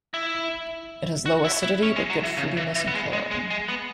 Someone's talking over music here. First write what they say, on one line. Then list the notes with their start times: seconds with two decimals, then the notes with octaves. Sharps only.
It has low acidity but good fruitiness and coloring.
0.14 E4
1.26 F#4
1.45 E4
1.63 E4
1.83 C#4
1.96 G#3
2.10 F#3
2.24 E3
2.37 C#3
2.57 E3
2.75 E3
2.88 B3
2.94 G#3
3.13 G#3
3.31 G#3
3.50 G#3
3.68 B3